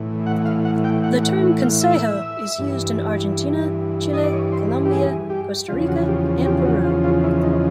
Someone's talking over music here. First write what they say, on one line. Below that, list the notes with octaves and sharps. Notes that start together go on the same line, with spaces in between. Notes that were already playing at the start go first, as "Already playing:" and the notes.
The term "consejo" is used in Argentina, Chile, Colombia, Costa Rica, and Peru.
Already playing: A2 E3
F#5
F5
F#5
G5
F#5
F#5
F5
E5
G2 E3
D#5
D5
C#5
C5
G4
G#4
G4
E2 C#3 F3 F4
F#4
G4
G4
F#4
F4
F4
E4
D#4